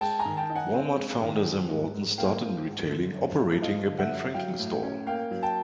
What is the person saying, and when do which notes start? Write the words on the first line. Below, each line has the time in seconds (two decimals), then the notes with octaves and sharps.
Walmart founder Sam Walton started in retailing operating a Ben Franklin store.
0.01 G#3 G5 A5
0.19 G#5 A#5
0.25 D#3
0.37 G5 A5
0.49 D#4
0.55 F#5 G#5
0.74 C4
0.97 G#3
1.22 D#3
1.46 F3
1.70 G#2
1.94 G#2
2.18 A#3 F5 G5
2.42 F3
2.66 G#2
2.90 D3
3.14 F#2
3.39 A3
3.62 F3 D#5 F5
3.86 D3
3.99 E5 F#5
4.10 F#2
4.34 F#3 F5 G5
4.59 A2
4.83 C#4
5.07 A#3 F5 G5
5.31 F#3
5.43 G5 A5